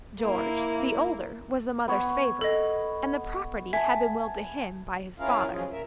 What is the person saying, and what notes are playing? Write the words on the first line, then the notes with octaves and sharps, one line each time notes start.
George, the older, was the mother's favourite, and the property had been willed to him by his father.
A#3 E4
B3 C#5
A4 D#5
E5 G#5 A5
C#4 E4 F4 G#4 A#4 F5
F3 F#3 G#3 C#4 F4 G#4
A#2 A#4 E5